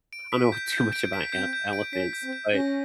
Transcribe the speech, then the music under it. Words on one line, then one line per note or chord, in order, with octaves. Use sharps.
I don't know too much about el elephants, but
D7
B6
G6
G6
D7
B6
C4 G6
G6
D7
C#4 B6
G6
C4
G6
C#4 A#6